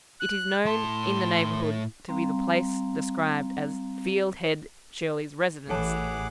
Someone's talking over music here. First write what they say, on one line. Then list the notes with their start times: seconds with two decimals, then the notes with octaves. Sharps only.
It is known in the neighbourhood to be the place described as "Field Head," Shirley's residence.
0.20 F#6
0.66 A2 A5 C6
2.09 G3 C4 F5 A#5
5.70 A1 E3 G#4 A4 C#5 F#5 A5 D6